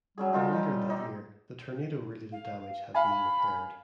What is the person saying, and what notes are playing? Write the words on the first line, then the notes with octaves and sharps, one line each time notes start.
By later that year, the tornado related damage had been repaired.
F#3 G3 C#4 G#4
G3 D#4 F4 A4
D#4
D#4 G4
F5
F5 G#5 B5